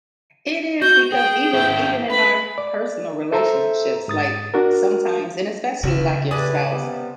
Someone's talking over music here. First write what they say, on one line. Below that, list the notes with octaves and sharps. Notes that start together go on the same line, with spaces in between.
It is because even even in our personal relationships, like, sometimes and especially, like, your spouse,
F#4 G6
G#4 G5
C#4 E4 E5
B4 B5
D5
A4 C5 E5 A#5
G#2 D#6 A6
D4 F#4 A#4
A#1 C#3 E7
A2 G4 B4 D5 G#5 D#6
C3 G3 B3